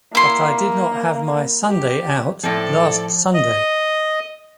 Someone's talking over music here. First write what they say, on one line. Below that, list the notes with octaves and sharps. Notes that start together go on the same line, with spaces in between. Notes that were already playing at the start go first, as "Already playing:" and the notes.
But I did not have my Sunday out last Sunday.
A#3 E4 C6
G4
A2 F3 C4 A4 D5
D#5